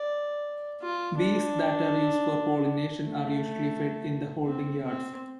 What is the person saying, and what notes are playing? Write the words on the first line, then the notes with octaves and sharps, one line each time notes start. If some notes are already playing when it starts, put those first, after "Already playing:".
Bees that are used for pollination are usually fed in the holding yards.
Already playing: D5
F4
D4
A3
C4
C4